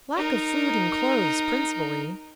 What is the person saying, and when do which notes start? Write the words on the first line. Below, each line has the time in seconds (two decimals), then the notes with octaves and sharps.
"Lack of food and clothes principally."
0.17 D#4 A#4